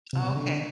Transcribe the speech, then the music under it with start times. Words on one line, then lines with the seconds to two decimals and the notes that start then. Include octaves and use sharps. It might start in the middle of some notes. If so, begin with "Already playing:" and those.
Oh, okay.
0.13 C3
0.20 B2
0.29 C3
0.36 D3